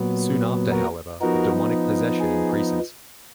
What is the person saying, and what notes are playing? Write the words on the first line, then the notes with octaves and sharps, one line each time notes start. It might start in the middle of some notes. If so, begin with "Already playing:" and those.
Soon after, however, the demonic possession increases.
Already playing: A#2 F#3 B3
F#4 A#4
F3 B3 D#4 F#4 A#4
G#4